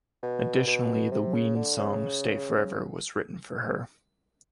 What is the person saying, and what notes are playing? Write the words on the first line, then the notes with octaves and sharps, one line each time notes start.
Additionally, the Ween song "Stay Forever" was written for her.
B2
B2
C3
C#3
D3
C#3